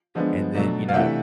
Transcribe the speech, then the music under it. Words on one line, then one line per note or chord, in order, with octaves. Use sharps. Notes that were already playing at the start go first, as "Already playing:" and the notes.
and then, you know, uh,
D3 F3 G#3 B3 D4
B2 F#3 A3 D4
F5
C3 E3 A3 D4 E5 F#5